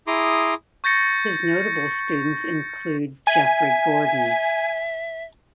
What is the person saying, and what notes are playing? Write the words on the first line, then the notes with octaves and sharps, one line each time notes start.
His notable students include Geoffrey Gordon.
E4 G#4 A#5 C6 D6 D#6
C#6 G6 A6 A#6 C#7
E5 G#5